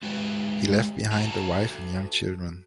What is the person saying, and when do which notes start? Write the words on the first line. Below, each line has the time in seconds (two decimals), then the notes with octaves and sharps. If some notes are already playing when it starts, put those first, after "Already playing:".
He left behind a wife and young children.
0.03 G#3 F#4 G4 B4
1.12 F#4 A4 A5 A#5